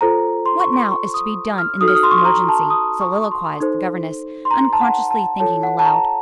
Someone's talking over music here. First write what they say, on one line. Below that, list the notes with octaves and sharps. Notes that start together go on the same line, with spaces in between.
"What now is to be done in this emergency?" soliloquized the governess, unconsciously thinking aloud.
F4 A4 C5 A#5
C6
C#6
C6
C#6
D#6
F6
D#4 F#4 A4 D#6
F6
D#6
C6
C#6
C6
A#5
A5
D#6
C#6
C6
D#4 A4 C5
C6
A#5
A5
F#5
A5
F4 A4 C#5 A5
F#5
A5
A#5